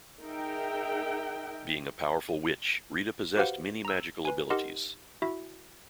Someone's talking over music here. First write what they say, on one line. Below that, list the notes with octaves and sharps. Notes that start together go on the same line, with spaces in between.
Being a powerful witch, Rita possessed many magical abilities.
D#4 G#4 A#4 E5 G5
F#4 G4 B4 C5 F5 F#5
A#5 E6
B4 G#5
D#4 G4 A#4 D#5 F#5 C6
E4 F#4 E5